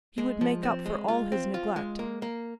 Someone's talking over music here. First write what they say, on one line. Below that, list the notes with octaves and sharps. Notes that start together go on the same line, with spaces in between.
He would make up for all his neglect.
G#3
F3
C4
G#3
F4
C4
F4
G#3
A#3
A#3